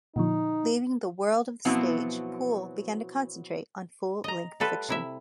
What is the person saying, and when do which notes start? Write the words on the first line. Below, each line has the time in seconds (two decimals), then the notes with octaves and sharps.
Leaving the world of the stage, Poole began to concentrate on full length fiction.
0.16 A#2 D3 F3 D#4
1.65 B2 F3 F#3 B3 C4 E4
4.24 D#5 A#5
4.60 G3 F4 A4 B4
4.89 C3 E4 E5